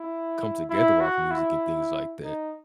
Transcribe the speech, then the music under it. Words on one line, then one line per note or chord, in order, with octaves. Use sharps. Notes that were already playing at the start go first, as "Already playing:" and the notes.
come together off music and things like that,
Already playing: E4
E4
F#4
E4
D#4